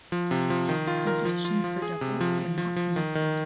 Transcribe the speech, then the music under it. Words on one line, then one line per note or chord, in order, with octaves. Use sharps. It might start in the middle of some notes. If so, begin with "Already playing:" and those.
Competitions for doubles were not conducted.
F3
C3
F3
D#3
F4
A#4
F3
F4
F3
G#4
C3
F3
F3
F3
F3
D#3
D#3